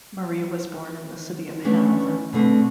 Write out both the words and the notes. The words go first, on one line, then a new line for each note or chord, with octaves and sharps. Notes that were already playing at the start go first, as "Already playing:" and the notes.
Marie was born in the city of Hanover.
E3 A3 B3 C#4 D4
B2 D3 A3 C4 D4